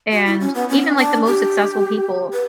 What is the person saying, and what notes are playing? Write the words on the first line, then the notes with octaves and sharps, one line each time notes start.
and even like the most successful people,
F#4
E4
C#4
B3
C#4
D4
G4
B4